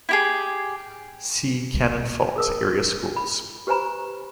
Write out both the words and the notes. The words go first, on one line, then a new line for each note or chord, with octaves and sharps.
See Cannon Falls Area Schools.
E4 G4 G#4
G#4 A#4 D#6
B5
G4 B4 C5 G#5 A#5 B5